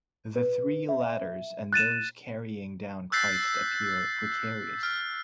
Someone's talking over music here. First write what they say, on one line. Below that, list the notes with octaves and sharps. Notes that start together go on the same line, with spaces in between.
The three ladders and those carrying down Christ appear precarious.
B4
E5
F#6 A6 D#7 E7
E6 F#6 G6 A6 B6 C7
F6